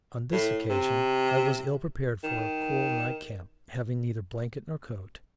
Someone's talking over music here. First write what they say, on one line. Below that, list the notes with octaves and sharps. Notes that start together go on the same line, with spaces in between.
On this occasion I was ill prepared for a cool night camp, having neither blanket nor coat.
A2
C3
D#3